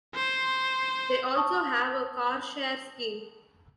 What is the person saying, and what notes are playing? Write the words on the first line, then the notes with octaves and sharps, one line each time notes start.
They also have a car-share scheme.
C5
A5 C#6 D#6